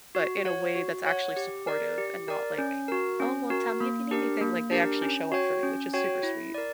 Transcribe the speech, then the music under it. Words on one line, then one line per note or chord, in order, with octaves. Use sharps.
but in a way that's actually supportive, and not like, "Oh well, tell me if you need anything." Like they actually show up for me, which is super sweet.
F#4
C#5 F#5
F#4
C#5 F#5
G4
A#4 D5
G4
A#4 D5
C#4
F#4 A#4
C#4
F#4 A#4
A#3
D4 G4 A#4
A#3
D4 G4 A#4
C#4
F#4 C#5 G5
C#4
F#4 C#5 G5
E4
A#4 D5